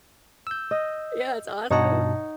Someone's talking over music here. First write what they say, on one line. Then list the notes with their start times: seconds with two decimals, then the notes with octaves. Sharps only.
Yeah, it's awesome.
0.47 E6 G6
0.71 D#5
1.70 G2 B2 D#4 C#5 F#5 A5